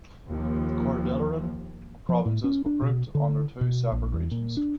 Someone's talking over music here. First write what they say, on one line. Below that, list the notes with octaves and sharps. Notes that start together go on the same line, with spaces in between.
The Cordilleran provinces were grouped under two separate regions.
D#2 F3
F3
A2
C#4
D4
B2
D3
B2
A#1
E2
A#2
D4